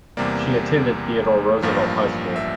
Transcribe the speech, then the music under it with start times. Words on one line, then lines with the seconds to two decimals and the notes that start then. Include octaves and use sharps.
She attended Theodore Roosevelt High School.
0.17 E2 C3 G3 A#3 D5
1.62 A1 G2 F3 A#3
2.36 E5